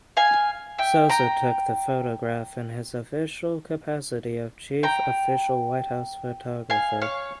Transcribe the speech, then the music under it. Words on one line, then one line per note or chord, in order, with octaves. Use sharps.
Souza took the photograph in his official capacity of Chief Official White House Photographer.
F5 G#5
E5 G5
G5 A#5
G5 A#5
F5 G#5
C#5 F5